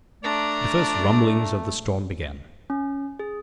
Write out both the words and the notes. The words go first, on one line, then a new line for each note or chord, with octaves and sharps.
The first rumblings of the storm began.
A3 D4 D5 A#5
C#4
G#4